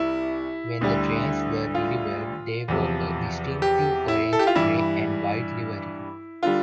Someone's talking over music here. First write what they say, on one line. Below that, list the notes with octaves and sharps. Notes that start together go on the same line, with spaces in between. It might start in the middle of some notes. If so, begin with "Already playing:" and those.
When the trains were delivered they wore a distinctive orange, grey, and white livery.
Already playing: C2 G3 E4
D2 D3 G3
F4
E2 C3 F3
G4
E4
A4
G4
F4
G2 E3 G3 E4
D3 G3 F4